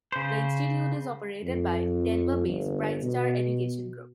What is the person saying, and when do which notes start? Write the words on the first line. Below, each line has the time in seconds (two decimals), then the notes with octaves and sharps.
The institute is operated by Denver-based BrightStar Education Group.
0.12 C#3 C5
1.44 F2
2.48 G1
3.02 B2